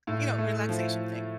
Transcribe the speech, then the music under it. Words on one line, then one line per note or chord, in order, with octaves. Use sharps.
you know, relaxation thing.
A2
A3
F3